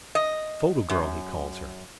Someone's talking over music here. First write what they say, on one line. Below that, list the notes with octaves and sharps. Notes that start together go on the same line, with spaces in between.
Photo girl he calls her.
D#5
F#2